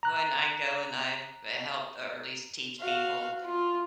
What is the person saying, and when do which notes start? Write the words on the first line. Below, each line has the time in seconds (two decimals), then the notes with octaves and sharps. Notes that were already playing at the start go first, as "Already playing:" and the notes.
when I go and I've helped or, at least teach people
0.03 A#5 F#6
2.81 F#4 F5
3.44 F4